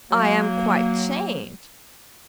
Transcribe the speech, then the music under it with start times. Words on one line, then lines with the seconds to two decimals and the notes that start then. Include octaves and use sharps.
I am quite changed.
0.11 F#3 A#3